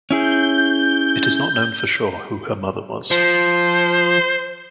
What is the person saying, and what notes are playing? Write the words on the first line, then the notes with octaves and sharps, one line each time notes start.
It is not known for sure who her mother was.
C#4 E4 G#4 G6
F3 C5